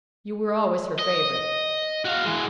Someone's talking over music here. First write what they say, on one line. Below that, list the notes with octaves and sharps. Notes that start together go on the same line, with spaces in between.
You were always her favourite.
D#5
F#4 F5
E3 G#3